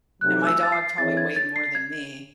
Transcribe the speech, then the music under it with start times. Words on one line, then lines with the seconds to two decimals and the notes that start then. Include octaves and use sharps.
and my dog probably weighed more than me,
0.21 C3 F#3 A3 D#4 F#6
0.47 E6
0.63 A6
0.72 C7
0.98 E3 C4 E4 G#4 C#5 A6
1.17 G#6
1.36 A6
1.56 C7
1.75 G#6